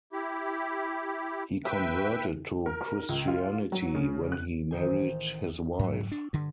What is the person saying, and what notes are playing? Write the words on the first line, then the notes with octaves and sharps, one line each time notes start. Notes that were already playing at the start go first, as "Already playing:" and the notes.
He converted to Christianity when he married his wife.
E4 G4
B4 E5 G5
A#4
C#2
F4
F#3
C#3
F#6
A1 D#3 C5 G#5
G#2 F#3
D4
G2 D3